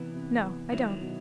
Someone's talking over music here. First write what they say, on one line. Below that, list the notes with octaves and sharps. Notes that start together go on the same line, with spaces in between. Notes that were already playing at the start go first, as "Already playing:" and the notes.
"No, I don't."
Already playing: C3 E3 B3
C3
B3
D#3 F#3 E4
B2